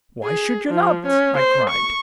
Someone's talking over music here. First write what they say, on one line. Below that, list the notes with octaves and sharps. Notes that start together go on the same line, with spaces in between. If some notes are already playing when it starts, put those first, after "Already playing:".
"Why should you not?" I cried.
G#4
F3
C#4
C5
C#6